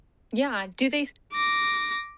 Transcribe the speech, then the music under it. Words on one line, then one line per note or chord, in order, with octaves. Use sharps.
Yeah. Do they s
D6 A#6